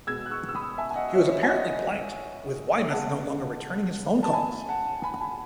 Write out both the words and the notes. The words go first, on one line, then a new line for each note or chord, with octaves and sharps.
He was apparently blanked, with Weymouth no longer returning his phone calls.
B2 G#3 B3 E6 G#6
F#6
C#6 E6
E6
B5 D#6
E5 G#5
G#5
D#5 F#5
C#5 E5
C#5 E5
G#5
D#5 F#5
C#3 G#3 B3 F#5 A5
A5
G#5 B5
F#5 A5
G#5 B5
G#5 B5